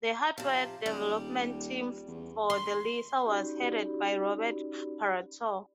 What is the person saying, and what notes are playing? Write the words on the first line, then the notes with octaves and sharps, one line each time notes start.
The hardware development team for the Lisa was headed by Robert Paratore.
C3 F3
D#1 G3
E2
C6
C#4 D#4 F#4 G4 D5 B5